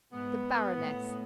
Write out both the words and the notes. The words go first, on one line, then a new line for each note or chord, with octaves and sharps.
"The Baroness."
G#2 B3
A2